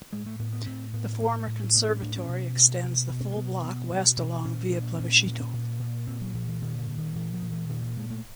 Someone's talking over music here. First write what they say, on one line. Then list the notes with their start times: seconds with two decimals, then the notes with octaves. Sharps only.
The former conservatory extends the full block west along Via Plebiscito.
0.12 A2 G#3
0.26 A3
0.39 A2 B3
0.53 B3
0.66 A2 C4
0.93 A2 B3
1.20 A2 A#3
1.39 A3
1.47 A2
1.56 A3
1.74 A2 B3
1.88 C#4
2.02 A2 D4
2.16 C#4
2.29 B2
2.56 B2
2.83 B2
3.09 B2
3.32 A#3
3.36 B2 B3
3.63 B2
3.90 B2
4.17 B2
4.44 A#2 C#4
4.72 A#2 D4
4.99 A#2 C#4
5.26 A#2
5.53 A#2
5.80 A#2
6.07 A#2 C4
6.21 F#3
6.34 A#2 F3
6.48 E3
6.62 A#2 D#3
6.79 D3
6.88 A#2
6.98 D#3
7.15 A#2 E3
7.34 F3
7.42 A#2
7.52 E3
7.69 A#2 D#3
7.82 E3
7.97 A#2 G#3
8.10 A3